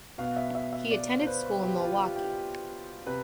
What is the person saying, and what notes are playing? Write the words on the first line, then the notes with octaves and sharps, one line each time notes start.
He attended school in Milwaukee.
B2 B3 F5
E5
E5
E5
D5
C5
B4
G4
F4
G4
G4
C3 B4